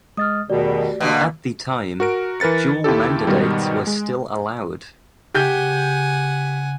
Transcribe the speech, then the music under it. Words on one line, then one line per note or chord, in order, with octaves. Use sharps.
At the time, dual mandates were still allowed.
G#3 D#5 D#6 F6 A6
E2 B2 D#3 A3 F#4 G4 D5
B2 D3 E3 G#3 A#3
F#4 A#4 D7
E3 A#4 B4 A6 C#7
D#2 E4 G4 A4
G#2 B2 D#3 G3
G#3
C#3 G4 F#5 G#5 G6